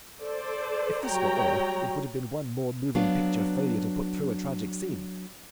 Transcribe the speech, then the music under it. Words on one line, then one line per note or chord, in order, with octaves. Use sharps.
If this were all, it would have been one more moving picture failure to put through a tragic scene.
A4 C5 D5
F#3 G3 C#5 G5 A#5
F#3 B3 D4 F5